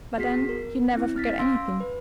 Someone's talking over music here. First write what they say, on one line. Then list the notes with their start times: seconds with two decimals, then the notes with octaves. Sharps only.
But then you never forget anything.
0.18 B3 F#4 G#4 B6 C7
0.49 A#4
0.93 C4 E4
1.16 F6 A6 B6
1.38 C#4 F5 C6 E6 A#6 D7
1.80 B4